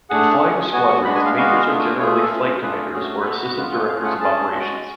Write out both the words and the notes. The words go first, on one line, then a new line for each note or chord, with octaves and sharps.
In flying squadrons majors are generally flight commanders or assistant directors of operations.
A3 D4 G#4 F#5
C#4 G#4
B3 F#4 G#5
C#6
G#3 B3 D4 B5
G#5
F5
G#3 B3 F#4 F5
A3 D4 F4 G#4
A3 F4 G#4 C#5
A4
A3 C#4 F4 G#4
A3 D4 F4 G#4 B4
A3 C#4 F#4 G#4
B4
B3 F#4 A4
B4
G#3 B3 F4 B4
B4
A3 C#4 F4 G#4 F5
F#5
C#4 G#4 A5
G#3 C#4 F#4